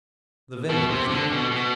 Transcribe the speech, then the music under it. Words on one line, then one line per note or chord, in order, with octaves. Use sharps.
The venue is different.
B2
C3
D3
B2
B2